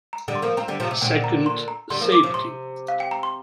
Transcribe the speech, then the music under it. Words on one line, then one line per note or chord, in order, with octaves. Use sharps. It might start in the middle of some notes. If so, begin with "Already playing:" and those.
Second, safety.
A#5
D3 G3
C6
F3 A#3
C4 F4 A#5
D3 G3
C3 F3
C3
A#2 D3 G5
A#5
C6
A#5
D3 G3 C6
F3 A#3
D6
C3 F3
C3 C6
F5
G5
A#5
C6